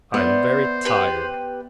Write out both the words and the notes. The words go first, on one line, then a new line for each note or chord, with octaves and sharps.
I am very tired.'
B3 C5 D5 E5
G4 B4